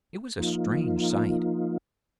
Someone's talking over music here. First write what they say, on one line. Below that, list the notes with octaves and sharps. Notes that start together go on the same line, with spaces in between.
It was a strange sight.
F3 A#3 D#4 F4